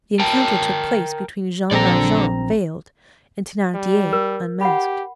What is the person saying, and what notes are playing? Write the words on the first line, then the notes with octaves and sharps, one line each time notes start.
The encounter took place between Jean Valjean veiled and Thenardier unmasked.
A#4 G5 A5
A#1 C4 D4 A4 D5 A#5
G3
A#4
G4 F#5 B5